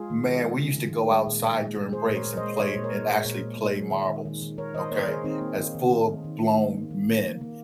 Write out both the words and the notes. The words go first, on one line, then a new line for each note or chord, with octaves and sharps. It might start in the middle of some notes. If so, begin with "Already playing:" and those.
man, we used to go outside during breaks and play and actually play marbles, okay, as full blown men,
Already playing: G#3 F4 G#4
D#3
D#3
G#3
D#3
D#3
D#3
G#3
A#2
A#2
G#3
G#3
G#3 G#4 C5
A#2
A#4 C#5
A#2
C5 D#5
G#3
G#3 C#5
A#2 C5
A#4 C#5
G#3
G#3
A#2
A#2
G#3
G#3
D#3
D#3
D#3
D#3
D#3 A#4 C#5
D#3 C5 D#5
A#3 A#4 C#5
D#3 G#4 C5
D#3 C4 D#4
A#3
D#3
D#3
D#3
D#3
D#3
D#3
D#3
A#3
D#3
D#3
A#3
A#3